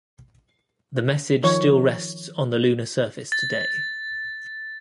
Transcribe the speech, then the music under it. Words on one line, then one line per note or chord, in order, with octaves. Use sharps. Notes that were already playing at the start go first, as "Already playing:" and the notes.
The message still rests on the lunar surface today.
D#3 F3 C#5
A6